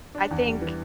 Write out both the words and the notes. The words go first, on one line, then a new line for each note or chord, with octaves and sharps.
I think
D4
E2
G3
E3